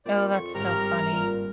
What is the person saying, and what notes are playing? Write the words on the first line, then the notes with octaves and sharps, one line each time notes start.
Oh, that's so funny.
A#2 C4 D5
F2 C#6
G1 G#2 G4 A#4 A#5 F6
A#2